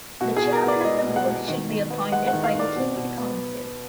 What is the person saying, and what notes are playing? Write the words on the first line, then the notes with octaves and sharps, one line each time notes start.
The Chairman of the board should be appointed by the King in Council.
B2 F#4
G#4
B2
A#4
B3 D5
G#3 D#5
B2
F#5
B2
D#3
D#3
B3
G#3 F#5
F#5
D#3
F5
D#3
D5
B2
B2
B3